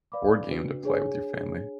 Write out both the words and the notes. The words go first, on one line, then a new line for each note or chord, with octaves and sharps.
board game to play with your family?
B4 D5 F5 B5 D6
D4 F#4 B4
D4 G#4 C#5 G#5